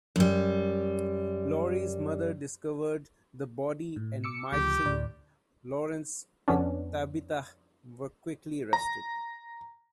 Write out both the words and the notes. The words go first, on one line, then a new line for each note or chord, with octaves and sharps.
Laurie's mother discovered the body and Michelle, Lawrence, and Tabitha were quickly arrested.
F#2 G3
A2
D6 E6 C#7
D2 C#3 F3 G4
D2 A2 D5
F2 B3 C#4 D4
A#5